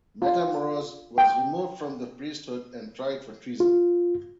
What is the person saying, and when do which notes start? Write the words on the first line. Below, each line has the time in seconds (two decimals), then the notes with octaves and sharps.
Matamoros was removed from the priesthood and tried for treason.
0.22 F4
1.18 G5
3.60 F4